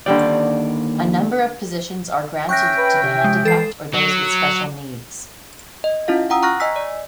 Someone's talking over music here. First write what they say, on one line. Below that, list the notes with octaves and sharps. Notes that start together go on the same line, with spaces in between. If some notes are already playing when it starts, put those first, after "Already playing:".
A number of positions are granted to the handicapped or those with special needs.
D#2 D3 G3 D5 G5
C#4 E5 G5 C#6 F#6 A#6
B4
C3
G#3
E3 A4 C7
F#3
D#5
C#4 E4 F4 F5
F#5 G5 A#5 D#6 E6
A#5 C#6 F6 F#6 A#6
D#5 G#5 E6 B6
D5